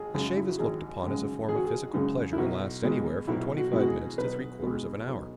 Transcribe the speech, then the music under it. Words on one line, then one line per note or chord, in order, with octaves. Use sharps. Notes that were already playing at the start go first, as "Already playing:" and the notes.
A shave is looked upon as a form of physical pleasure and lasts anywhere from twenty-five minutes to three-quarters of an hour.
Already playing: G#1 G#4
F#2 C#3 G#3
E4
F#4
G#1 G#4
F#2 C#3 G#3
G#1 G#4
F#4
G#4
F#2 C#3 G#3
E4
B1 F#4
B2 G#3
B1 E4
F#4
B2 G#3 E4
F#4
G#4
B1 B4
B2 G#3
B1